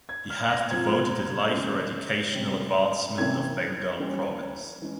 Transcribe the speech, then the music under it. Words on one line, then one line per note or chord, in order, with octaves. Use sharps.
He had devoted his life for educational advancement of Bengal province.
G#6
F6
A#6
F3 C4 G#6
C#3 E3 G#3 C#4
C3 G3 C#4
C3 E3 A#3 C#4 G#6
E3 G3 A#3 C#4
E3 G#3 C#4